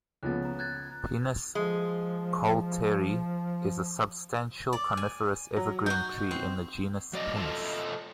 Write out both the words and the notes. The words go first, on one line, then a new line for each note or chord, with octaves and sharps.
"Pinus coulteri" is a substantial coniferous evergreen tree in the genus "Pinus".
C#2 F3 B3 F#6 A6
A#5
F#6 G#6 A6
F3 G#3
D5
G#5
F#3
D#4 F#4 G6
C4
F#3 D5 D#5
A3 F4 A4 D#5 A5